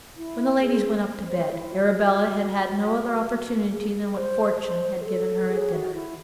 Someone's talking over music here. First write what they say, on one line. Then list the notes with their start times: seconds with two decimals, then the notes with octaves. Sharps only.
When the ladies went up to bed Arabella had had no other opportunity than what Fortune had given her at dinner.
0.17 E4
0.61 G#4
1.28 C5
1.50 E4
1.72 F#4
3.72 G#4
4.16 C5
4.60 C5
5.01 G#4
5.06 A4
5.49 G#4
5.72 F#4
5.94 E4